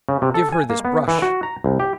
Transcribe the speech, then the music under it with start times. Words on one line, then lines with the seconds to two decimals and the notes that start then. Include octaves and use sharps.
Give her this brush.
0.09 C#3
0.22 C3
0.34 A4
0.52 G#5
0.70 A#3
0.85 B3
1.08 E3
1.22 F#4
1.43 A#5
1.64 C2
1.80 G4